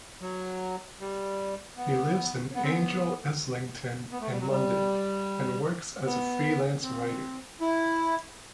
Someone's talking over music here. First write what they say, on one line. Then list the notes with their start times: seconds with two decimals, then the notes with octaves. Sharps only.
He lives in Angel Islington in London, and works as a freelance writer.
0.21 F#3
1.00 G3
1.77 B3
2.55 B3
2.64 C4
2.70 B3
4.12 B3
4.21 A3
4.31 G3
4.40 F#3
4.49 G3
6.06 B3
6.83 C4
7.61 E4